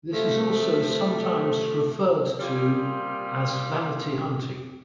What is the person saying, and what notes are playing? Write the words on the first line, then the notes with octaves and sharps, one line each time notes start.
This is also sometimes referred to as vanity hunting.
C3 F3 A3
A#2 G3 C4 F4 G#4